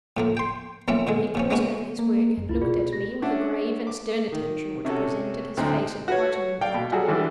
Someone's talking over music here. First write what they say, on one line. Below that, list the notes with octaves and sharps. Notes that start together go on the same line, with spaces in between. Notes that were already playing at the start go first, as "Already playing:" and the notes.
He paused over his work, and looked at me with a grave and stern attention which presented his face in quite a new light.
A2 F3 A#3
G5 C6
B1 F3 A#3 C4 C#4 E5
A#2 D3 G#3
A#2 F3 C#4
G#3 A#3 B3 C#4 F#4
A#3
F#1
C#2 E4 F4
B2 F4 G#4 D5
G4 A#6
C#4 D4 E5 F#5
D6
D#3
C3 C#4 F#4 A4
D2 A2 F#3 C4 D#4
F#4 B4 C#5
C#5
D5 F5 G5
B2
F#3 G3 F#4 G#4 A4
D#3 E3 G3 G#3 D4